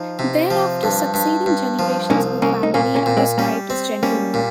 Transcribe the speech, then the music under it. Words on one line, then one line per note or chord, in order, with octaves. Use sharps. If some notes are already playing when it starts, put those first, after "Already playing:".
Thereafter succeeding generations of the family are described as gentlemen.
Already playing: F3 D#4
C3
F3
G2
G2
G2
F3
C2 A#3 C#4
C2 A#3 C#4
D#4
A#2 A#3 C#4
A#3 C#4
A#2
G#3 C4
G3 A#3 C#4
C4
G3 A#3 C#4
A#2